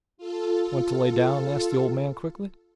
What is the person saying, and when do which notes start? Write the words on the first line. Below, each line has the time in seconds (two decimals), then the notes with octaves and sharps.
"Want to lay down?" asked the old man quickly.
0.18 F4 A4